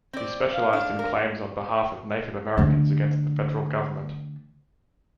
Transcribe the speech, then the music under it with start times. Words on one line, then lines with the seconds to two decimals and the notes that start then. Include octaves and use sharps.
He specialized in claims on behalf of Native Americans against the federal government.
0.13 C4 D5
0.54 F5
0.73 D4
0.99 A#4
2.57 D3 A3